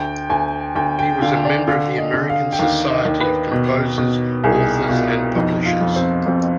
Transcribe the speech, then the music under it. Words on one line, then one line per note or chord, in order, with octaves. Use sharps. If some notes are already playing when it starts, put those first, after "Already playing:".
He was a member of the American Society of Composers, Authors and Publishers.
Already playing: D2 G5
D2 G#5
D2 G5
G5
D3 F5
D5
D3 F5
D#5
D3
F5
G5
D#2 F5
D#5
D#2
B4
B2
B2
C2 G#4
B2 F4
F2 D#4
F4
F2
C4
F2 C4